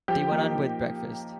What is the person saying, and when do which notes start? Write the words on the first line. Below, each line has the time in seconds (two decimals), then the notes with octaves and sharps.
They went on with breakfast.
0.08 F3 G4
0.32 A#3 D#4
0.55 F3